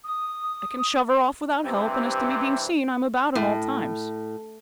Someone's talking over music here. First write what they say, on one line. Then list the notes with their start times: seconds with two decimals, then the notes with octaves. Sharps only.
I can shove her off without help; and as to me being seen, I'm about at all times.'
0.05 D#6
1.65 G2 C3 E3 C4
3.35 A2